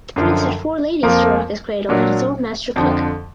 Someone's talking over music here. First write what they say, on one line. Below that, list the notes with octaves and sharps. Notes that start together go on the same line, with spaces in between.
The prince had four ladies to rock his cradle and his own master cook.
F#2 D3 F3
F2 F3 A#3 F4 A#4
A#2 F#3 D4
F2 D3 F3